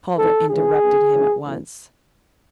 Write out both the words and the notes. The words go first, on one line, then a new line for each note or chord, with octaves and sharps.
Calder interrupted him at once.
G#1 G#2 E3 A4
C#2 C#3 E3 G#4
B1 B2
G#1 F#2 C#3 E3
B1 A2 E3